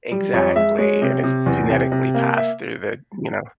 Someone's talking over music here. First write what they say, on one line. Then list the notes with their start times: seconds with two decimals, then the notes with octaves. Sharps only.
Exactly, and it's genetically passed through the you know?
0.11 G3
0.33 F2 C#5
0.56 G#3 E5
0.78 G#3 C#5
1.02 C3
1.23 C3
1.46 E2
1.69 C3
1.92 C3
2.15 A#3
2.37 E5